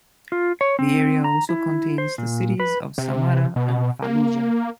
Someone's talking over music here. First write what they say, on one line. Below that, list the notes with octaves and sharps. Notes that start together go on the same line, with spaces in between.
The area also contains the cities of Samarra and Fallujah.
F4
C#5
C4
A#5
E4
C5
A#2
B4
C3
B2
A#3